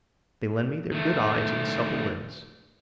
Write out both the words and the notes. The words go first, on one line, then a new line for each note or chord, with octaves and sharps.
They lend me their good eyes and supple limbs.
D#3 A3